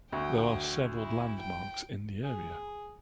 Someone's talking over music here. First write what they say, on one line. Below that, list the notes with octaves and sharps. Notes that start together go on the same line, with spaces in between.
There are several landmarks in the area.
D2 F#4 G5 D#6
E4
G5
G#4